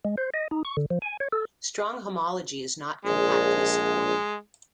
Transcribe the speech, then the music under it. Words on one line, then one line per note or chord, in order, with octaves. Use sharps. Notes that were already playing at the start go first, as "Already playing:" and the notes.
Strong homology is not compactly supported.
G#3
C5
D#5
D#4
C#6
D3
F3
G#5
C#5
A4
A#1 G#3